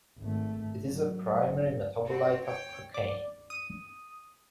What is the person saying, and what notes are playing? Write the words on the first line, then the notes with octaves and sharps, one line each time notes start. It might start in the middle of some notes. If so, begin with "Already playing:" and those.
It is a primary metabolite of cocaine.
G#1 A3
F#3
C4 F#4
C#5 G5
D5
D#6